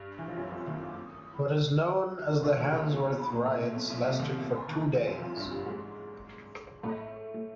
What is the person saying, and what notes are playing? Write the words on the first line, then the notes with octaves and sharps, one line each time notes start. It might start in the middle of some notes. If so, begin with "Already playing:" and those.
What is now known as the Handsworth Riots lasted for two days.
Already playing: G2 G3
E3
F3
F#2 F#3
F2 F3
D#2 D#3
D2 D3
D#2 D#3
C#2 C#3
B1 B2
B1 B2
A#2
A2
B2
A#2
B1 B2
B1 B2
C2 C3
D#2 D#3
D#3
E3
F3
F#2 F#3
F2 F3
G2 G3
G2 G3
G#2 G#3
A2 A3
A3